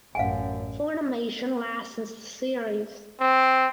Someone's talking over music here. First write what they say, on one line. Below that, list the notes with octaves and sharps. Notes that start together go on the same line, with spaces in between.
Funimation licensed the series.
A1 F#2 F5 F#5 G#5
C4